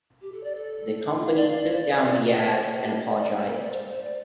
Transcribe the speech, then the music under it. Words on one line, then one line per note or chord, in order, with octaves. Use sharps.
The company took down the ad and apologized.
G4
A4
D5
A4
F4
F5
D5
F5
D5
C5
D5
D5
D5
C5
A4
G4
A4
D5
D5
C5
A4
D5
C5
C5
D5